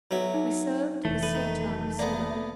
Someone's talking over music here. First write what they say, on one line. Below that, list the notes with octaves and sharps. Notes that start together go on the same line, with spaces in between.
We served the Sultan of Sula.
B1 F#3 E5
D#4
F1 E3 A3
A4 B4
D#3
A#3 B3 A4 D5